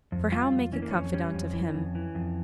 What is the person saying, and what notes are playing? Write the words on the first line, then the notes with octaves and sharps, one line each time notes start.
For how make a confidant of him?
F2
G3 F4
F2
E3 C#4
A#3
F2 C#4
G3 C#4
F2
E3
F2
E3
F2